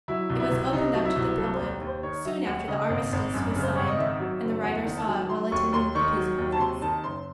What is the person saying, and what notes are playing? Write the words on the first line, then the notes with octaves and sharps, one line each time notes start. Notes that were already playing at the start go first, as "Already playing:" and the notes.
It was opened up to the public soon after the armistice was signed and the writer saw it while attending the Peace Conference.
F#3 E4
C2
E4
C2
C3 D#4
F#3
E4
C2
F#3 A4
C5
D#2
D#2
C5
D#3 C#5
F#3 E5
D#2 F#5
C#3 D#5
G#1
G#1
F#2
C#3
C5
G#1 C#5
D#5
D#3 E5
F#3
F#1
E2 F#5
D#3
A5
F#3
F#3 C6
D#2 C#6
D#2 C6
D#3 C#6
F#3
D#2
A5
C3 C6
D#3 A5
F#1 C6